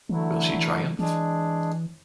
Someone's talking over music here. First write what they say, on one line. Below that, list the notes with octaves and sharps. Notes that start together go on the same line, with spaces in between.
Will she triumph?
D3 E3 F#3 A3 E4
E3
E3 G#3 D4 G#4